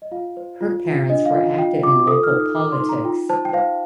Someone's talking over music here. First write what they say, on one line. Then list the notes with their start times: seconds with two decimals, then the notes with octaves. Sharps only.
Her parents were active in local politics.
0.02 D#5
0.11 F4 F5
0.37 C5
0.61 F4
0.85 F4
1.10 D4 D#5
1.26 F5
1.34 F4
1.58 F4 G5
1.83 F4 D6
1.99 D6
2.07 A4 D#6
2.23 F6
2.31 D#4
2.40 D#6
2.56 D#4 D6
2.72 C6
2.80 D#4
2.89 A#5
3.04 F4 G5
3.29 C5 A5
3.45 G5
3.53 C5 F5